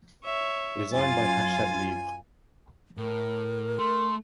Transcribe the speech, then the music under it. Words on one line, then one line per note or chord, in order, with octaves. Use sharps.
It is owned by Hachette Livre.
C#5 E5
F#2 F4 G#5 A6
A2 A#4
A3 C6